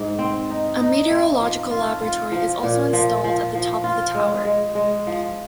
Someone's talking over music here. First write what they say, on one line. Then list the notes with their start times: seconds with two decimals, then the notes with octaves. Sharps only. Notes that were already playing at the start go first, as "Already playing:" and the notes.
A meteorological laboratory is also installed at the top of the tower.
Already playing: G#2 G#4
0.19 C4
0.50 D#4
0.81 D#4
1.11 C4
1.41 F3
1.71 F4
2.02 F4
2.32 F3
2.63 A#2
2.93 F3
3.24 F3
3.55 F3
3.84 F4
4.15 G#3
4.45 G#3
4.75 G#3
5.07 F3